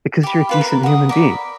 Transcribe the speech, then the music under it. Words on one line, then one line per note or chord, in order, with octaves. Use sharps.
Because you're a decent human being.
G4 B5
F4 B4 B5
A#4
F#5 D#6
A#4 D5 B5